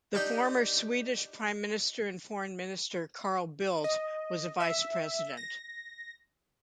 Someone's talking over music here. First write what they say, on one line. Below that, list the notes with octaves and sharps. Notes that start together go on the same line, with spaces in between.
The former Swedish Prime Minister and Foreign Minister Carl Bildt was a Vice President.
D4 D#4 G4 D5 D#5
D#5
E5
A#6